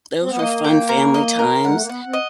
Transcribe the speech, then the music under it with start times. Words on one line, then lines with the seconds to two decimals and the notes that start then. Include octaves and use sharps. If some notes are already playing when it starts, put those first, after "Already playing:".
those were fun family times,
0.21 C4
0.30 B3
0.39 A#3 D#5
0.64 G5
0.89 A#4
1.14 D#5
1.39 A#4
1.65 G#3 F#5
1.74 A3
1.81 A#3
1.89 B3 F#5
2.06 C4
2.13 D#5